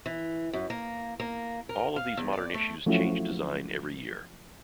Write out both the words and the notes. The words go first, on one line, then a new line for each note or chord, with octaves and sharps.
All of these modern issues changed design every year.
E3
F#2
A#3
A#3
A#4
F5
E2
D5
A3
F3 F#3 A3 C#4 E4 F#4